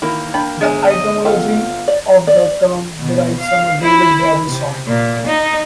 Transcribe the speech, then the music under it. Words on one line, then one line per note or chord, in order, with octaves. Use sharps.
The etymology of the term derives from a David Bowie song.
D#3 E3 A#3 E4
D4 G5 B5
G1 G#3 D4 E5 G#5
D#5
A3 B3 F4 G5
D5
D5
B2
F5
E4
C3
A#2
D#4